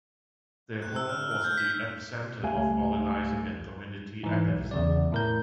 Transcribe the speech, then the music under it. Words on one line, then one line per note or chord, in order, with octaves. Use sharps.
Their home was the epicenter of organizing and community activism.
F#6
E6
F6
F6
G6
B6
C#2 G3 A3 G4 F5 G#5
G#2 E3
B1
E2 C#3 D5
A2 A#4 G6